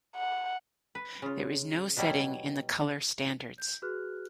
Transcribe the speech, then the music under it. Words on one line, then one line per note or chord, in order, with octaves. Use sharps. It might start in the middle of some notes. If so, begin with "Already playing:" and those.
There is no setting in the colour standards.
F#5
B4
C#3 F4
B2 F#3 G3 E4
G6
F#4 G#4 B4 F6 F#6